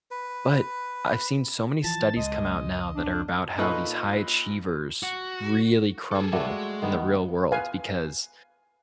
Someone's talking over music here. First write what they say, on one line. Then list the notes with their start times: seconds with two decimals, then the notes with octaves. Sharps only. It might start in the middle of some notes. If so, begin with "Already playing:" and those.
But I've seen so many studies come out now that are about how these high achievers really crumble in the real world because
0.11 B4
1.84 E3 F3 A5
2.16 C#2 G#3 D#5
2.95 D4
3.58 A#2 D#4 A4 B4 D#5 C#6
5.03 F#4
6.11 G#4 A4
6.33 G3 A3 F#4
6.47 G#3
6.82 D#3 B3
7.52 B4 F5 G#5